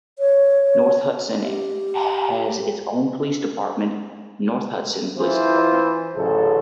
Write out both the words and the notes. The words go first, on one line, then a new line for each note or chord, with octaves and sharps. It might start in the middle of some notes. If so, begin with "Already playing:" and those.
North Hudson has its own Police Department, North Hudson Police Department.
C#5
G4
E3 E4 F4 C5
A1 D2 C#3 F#3 G#4 A4